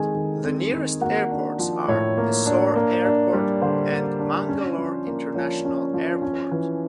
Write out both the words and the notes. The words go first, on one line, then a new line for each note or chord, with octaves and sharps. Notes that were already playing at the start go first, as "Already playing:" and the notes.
The nearest airports are Mysore Airport and Mangalore International Airport.
Already playing: D#3 G#3 C4 G#4 A4 G#5
D#3
C4
D#3
A#3 F#4 F#5
D4
F3
A2 C#5
A#3
D4
A#3
D4
G3
D3 C5
A#3
D4
C#4
F3
A#3
F3 C#5
C#4
F3
C#4
E3